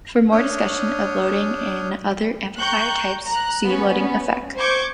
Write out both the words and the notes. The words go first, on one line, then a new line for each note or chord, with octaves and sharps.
For more discussion of loading in other amplifier types, see loading effect.
D4 C#5 D#6 F6 G6
G5 A#5 C#6 F#6 G6
A#5 F#6
B3 C#4 B4
C5 C#6 D6 G6 G#6